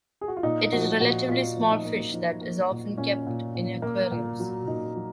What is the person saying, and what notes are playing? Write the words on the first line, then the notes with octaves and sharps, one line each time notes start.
It is a relatively small fish that is often kept in aquariums.
G#4
F#4
F4
A#2 D#4
F3 F#4
A#2 F#4
A#2 F4
F3
D#4
A#3
F3 D#4
A#3
A#2
A#2 C#4
A#2
A#2
A#3
A#2
F#3
A#2 D#4
F#3